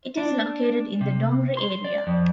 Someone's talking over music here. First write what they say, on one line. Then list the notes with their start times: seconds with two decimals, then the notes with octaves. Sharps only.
It is located in the Dongri area.
0.17 D4
1.01 C3
1.57 C6
1.85 D5
2.07 F2